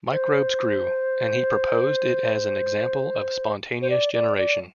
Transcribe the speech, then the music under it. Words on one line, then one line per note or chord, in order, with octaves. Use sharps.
Microbes grew, and he proposed it as an example of spontaneous generation.
C5
C5
D5
D5
D5